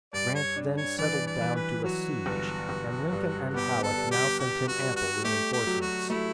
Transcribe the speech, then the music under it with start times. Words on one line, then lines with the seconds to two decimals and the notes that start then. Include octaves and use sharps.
Grant then settled down to a siege, and Lincoln and Halleck now sent him ample reinforcements.
0.13 G2 D5
0.35 C#5
0.56 D4
0.77 C#5
0.99 E3 D5
1.27 D5
1.41 E3
1.55 B4
1.84 F#3 F#4
2.26 G1
2.69 G1
3.12 G2
3.54 B3 G4
3.83 A4
3.97 G3
4.11 G4
4.40 G3 G4
4.68 F#4
4.82 G3
4.96 F#4
5.24 A3 G4
5.53 G4
5.67 F#3
5.81 F#4
6.10 A3 E4